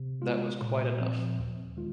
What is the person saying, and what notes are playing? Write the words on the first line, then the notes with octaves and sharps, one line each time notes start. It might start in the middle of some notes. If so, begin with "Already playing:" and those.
That was quite enough.
Already playing: C3
G#3 F4
A#2
F3 C4
D#2
D#3 G#3 F4